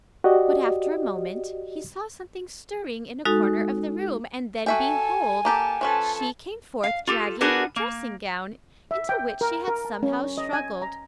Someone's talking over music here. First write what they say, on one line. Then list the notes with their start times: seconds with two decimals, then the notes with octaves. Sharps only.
But after a moment he saw something stirring in a corner of the room, and then behold! she came forth dragging her dressing-gown, into which she had somehow struggled.
0.24 F#4 G4 D5 D#5
3.25 G#3 D#4 F#4 A4
4.66 F#4 A4 E5 G5 G#5
5.45 A#3 G4 A4 A5
5.81 F3 C#4 A4 B4 A5
6.84 F5
7.07 F4 G4 A4
7.41 B3 D4 F#4 G#4 A#4 B4
7.76 A#3
8.91 E5
9.09 G5
9.41 A#4
9.68 A#4
9.85 A5
10.03 C#4
10.38 D#5
10.53 G#5
10.82 A#5